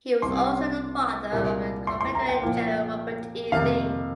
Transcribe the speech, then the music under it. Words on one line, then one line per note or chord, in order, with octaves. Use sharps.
He was also the father of the Confederate General Robert E. Lee.
C2 C3 G3 C4 C6
C2 A#2 G3 A#3
C6
C6
A#5
G5
A#2 F3 A#3
F2 C3 D#3 A#3 F5